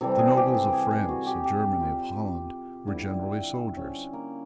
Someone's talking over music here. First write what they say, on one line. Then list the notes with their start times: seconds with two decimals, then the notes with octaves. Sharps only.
The nobles of France, of Germany, of Holland, were generally soldiers.
0.01 C3 E3 G3 A4
0.19 G#4
0.37 G4
0.55 A4
0.73 G#4
0.91 G#4
1.09 F#4
1.26 G4
1.44 G4
1.80 F4
2.87 D3 G3 E4
3.77 C#4
4.13 A#3